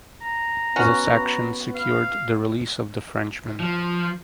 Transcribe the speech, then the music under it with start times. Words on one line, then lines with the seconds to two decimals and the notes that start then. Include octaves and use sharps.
This action secured the release of the Frenchmen.
0.21 A#5
0.76 B3 C#4 F#4
1.75 F5
3.60 F3